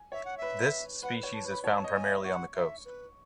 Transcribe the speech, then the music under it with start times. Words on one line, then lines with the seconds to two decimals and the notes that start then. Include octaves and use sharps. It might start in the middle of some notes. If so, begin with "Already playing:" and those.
This species is found primarily on the coast.
Already playing: G#5
0.12 C#5 E5
0.25 F#5
0.37 B4 E5
1.02 B4 F#5
1.23 C#5
1.33 A5
1.44 B4
1.49 B5
1.64 C#5 A5
1.84 D#5
1.94 G#5
2.04 E5
2.24 F#5 C#6
2.55 E5
2.85 B4